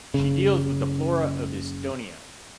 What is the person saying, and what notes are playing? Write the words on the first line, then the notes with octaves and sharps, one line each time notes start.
She deals with the flora of Estonia.
F#1 C#3